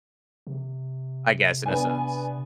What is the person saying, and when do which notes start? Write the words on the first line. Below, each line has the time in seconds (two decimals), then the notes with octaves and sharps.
I guess, in a sense.
0.47 C3
1.66 B3 D4 G#5